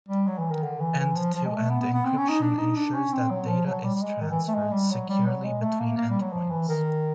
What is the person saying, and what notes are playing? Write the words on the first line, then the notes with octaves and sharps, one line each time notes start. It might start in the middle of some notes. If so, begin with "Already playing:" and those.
End-to-end encryption ensures that data is transferred securely between endpoints.
G3
F#3
E3
D#3
D3
E3
E3
F3
F3
G#3
A3
B3
B3
B3
C4
C#4
D#4
D4
D#4
D4
C#4
C4
F#3
F3
F#3
G3
G3
G#3
D#3
E3
A3
G#3
G3
F#3
G3
F#3
G#3
A3
A#3
A#3
G3
F#3
F3
E3
D#3